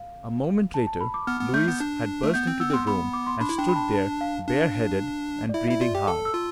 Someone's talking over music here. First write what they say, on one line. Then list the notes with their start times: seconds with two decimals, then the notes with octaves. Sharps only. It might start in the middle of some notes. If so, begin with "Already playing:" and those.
A moment later Louise had burst into the room and stood there bareheaded and breathing hard!
Already playing: F5
0.74 A5
0.87 A5
1.01 B5
1.14 D6
1.27 B3 F6
1.41 B3
1.54 A3 G6
1.67 B3
1.80 D4
2.23 A3
2.34 B3 G6
2.47 C4
2.60 B3 E6
2.69 C4
2.73 B3 C6
2.87 B3 B5
3.13 D6
3.27 C6
3.40 D4 B5
3.49 E4
3.58 D4 G5
3.69 B5
3.76 A5
3.94 A5
4.21 F5
4.47 D4
5.49 D5
5.54 E4 E5
5.68 E4 E5
5.81 F4 D5
5.95 G4 G5
6.08 A4 A5
6.25 E6
6.34 F4